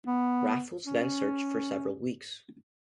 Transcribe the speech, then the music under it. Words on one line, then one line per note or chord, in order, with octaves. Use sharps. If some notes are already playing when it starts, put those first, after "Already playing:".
Raffles then searched for several weeks.
B3
C#4